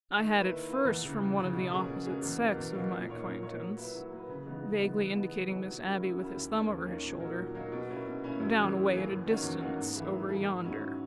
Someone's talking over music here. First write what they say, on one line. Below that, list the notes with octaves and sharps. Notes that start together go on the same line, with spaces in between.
I had it first from one of the opposite sex of my acquaintance,' vaguely indicating Miss Abbey with his thumb over his shoulder, 'down away at a distance, over yonder.'
D#3
A#3 E4 B4
D#3
A#3 E4 B4
E2
C#3 E3
E2
C#3 E3
B2
A#3 C#4 G#4
B2
A#3 C#4 G#4
E2
B2 A#3
E2
B2 A#3
A#2
A#3 D#4 A#4 C#5
A#2
A#3 D#4 A#4 C#5
F#3
A#3 E4 B4
F#3
A#3 E4 B4
C#3
E3 G#3 B3 D#4
C#3
E3 G#3 B3 D#4
E3
B3 D#4 G#4
E3
B3 D#4 G#4
F#3
C#4 E4 A#4
F#3
C#4 E4 A#4
D#2
D#3 A#3 C#4
D#2
D#3 A#3 C#4
A#2
F#3 A#3 D#4 A#4
A#2
F#3 A#3 D#4 A#4
B2
A#3 C#4 E4
B2
A#3 C#4 E4
F#2
E3 A#3 C#4 G#4
F#2
E3 A#3 C#4 G#4
E2
D#3 A#3 C#4 F#4
E2
D#3 A#3 C#4 F#4
G#2
E3 A#3 E4 G#4
G#2
E3 A#3 E4 G#4
G#2
D#3 F#3 C#4 E4
G#2